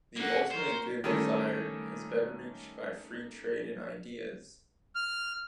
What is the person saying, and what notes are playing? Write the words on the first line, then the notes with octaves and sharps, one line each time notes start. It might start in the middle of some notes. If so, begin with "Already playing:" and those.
The ultimate good desired is better reached by free trade in ideas.
A#3 C#4 A4 F#5
A#4 C5 C#5
D#3 G3 A3 C#4
F6